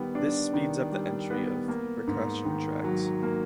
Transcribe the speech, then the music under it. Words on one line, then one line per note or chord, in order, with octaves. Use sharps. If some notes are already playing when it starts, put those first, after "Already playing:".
This speeds up the entry of percussion tracks.
Already playing: D#3 G3 B3
D4
D#3
G3
B3
A#3
G#2
D#3
F#3
A#3